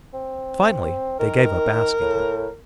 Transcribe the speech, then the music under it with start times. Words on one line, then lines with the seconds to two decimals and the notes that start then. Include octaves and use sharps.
Finally they gave up asking him.
0.14 C4
1.20 D#3 A#4
2.01 A2